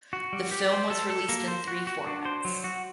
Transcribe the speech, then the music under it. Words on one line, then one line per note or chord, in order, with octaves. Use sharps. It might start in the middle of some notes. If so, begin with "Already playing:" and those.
The film was released in three formats.
F#4
G3
G4
C5
A4
A4
A#3
C5
F#4
F#4
D4
C5
F#3
F#4